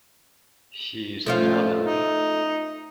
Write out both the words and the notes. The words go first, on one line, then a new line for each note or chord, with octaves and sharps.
She smiled at me.
F3 A3 C#4 F4
D#4